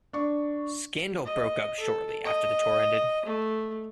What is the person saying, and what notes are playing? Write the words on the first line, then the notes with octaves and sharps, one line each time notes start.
Scandal broke up shortly after the tour ended.
D4 C#6
D#5
A4
D#5
A3